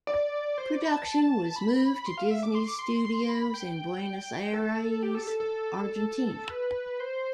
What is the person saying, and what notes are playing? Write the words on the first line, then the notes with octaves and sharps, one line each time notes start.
Production was moved to Disney's studios in Buenos Aires, Argentina.
D5
C5
D5
B5
A5
B5
C6
F5
E5
D6
C6
D6
C6
C6
B5
G5
A4
G4
A4
A4
A4
B4
C5